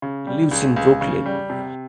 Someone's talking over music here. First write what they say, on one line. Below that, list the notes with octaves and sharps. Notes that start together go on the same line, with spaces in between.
Lives in Brooklyn.
C#3
G3
C#2
C#2
C#3
G3
C3